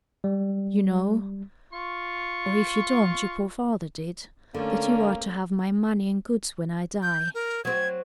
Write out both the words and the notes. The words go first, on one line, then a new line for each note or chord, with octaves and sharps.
You know, or if you don't, your poor father did, that you are to have my money and goods when I die.
G3
F4 C#6
D3 A3 A#3 C#4
G6
A#4
F#3 C4 G#6